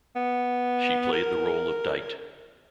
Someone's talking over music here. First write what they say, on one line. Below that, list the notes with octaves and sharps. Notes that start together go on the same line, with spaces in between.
She played the role of Dite.
B3
A#4